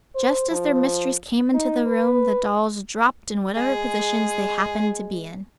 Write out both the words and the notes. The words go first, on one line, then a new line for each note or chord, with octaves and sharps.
Just as their mistress came into the room the dolls dropped in whatever positions they happened to be in.
C5
F3
D#4
B4
G#3 G#4